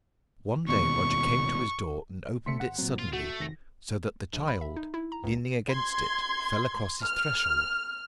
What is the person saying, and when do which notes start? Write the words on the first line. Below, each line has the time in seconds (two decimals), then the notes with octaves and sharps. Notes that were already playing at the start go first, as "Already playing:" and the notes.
One day Roger came to his door and opened it suddenly, so that the child, leaning against it, fell across his threshold.
0.68 D#2 B2 C#6
2.46 D2 C3 A3 C6 B6 C#7
2.60 G1 F#5
2.78 A#2 F#3 C4
2.99 G#1 F4
3.13 A3 F#4
3.40 F1 D#3 A#6
4.33 A#1
4.47 B5
4.61 E5
4.76 D#4
4.94 E4
5.12 A#5
5.24 C#2
5.67 C6 G#6
7.03 F6